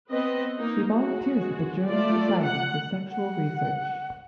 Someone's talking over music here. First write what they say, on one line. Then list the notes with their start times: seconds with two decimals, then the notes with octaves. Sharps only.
She volunteers at the German Society for Sexual Research.
0.11 B3 C4 B4 D#5
0.58 A#3 D#4
0.92 G#3 F#4
1.88 A3 F4 D5
2.43 F#5
3.11 F#5